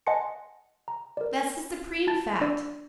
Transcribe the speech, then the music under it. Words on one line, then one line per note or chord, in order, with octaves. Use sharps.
That's the supreme fact.
D#5 F#5 G#5 A5 C6 C#7
A#5
A#4 D5
E4 A5 A6
D4 D5 E6